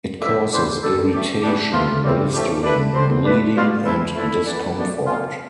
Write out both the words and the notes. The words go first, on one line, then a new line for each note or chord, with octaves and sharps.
It causes irritation, blistering, bleeding and discomfort.
A2 F3 B3 D4 E5
E3 B3 D4 C5
D3 G3 D4 A4
E3 A3 D4 G4
E3 B3 D4 G4
C3 E3 A3 F4
A2 E3 G3 C4
A2 F3 A3 D4 G4
D3 A3 D4 B4
D3 F3 C4 C5
B2 A3 D4 B4
B2 G3 D4 F4
G2 F3 C4 E4
D3 F3 A3 D4 E4
E3 B3 D4
B2 A3 D4
B2 A3 C4 F4